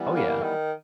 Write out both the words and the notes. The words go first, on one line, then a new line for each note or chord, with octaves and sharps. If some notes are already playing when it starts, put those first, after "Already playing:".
Oh, yeah.
Already playing: E3 G3 B3
A#3
D#3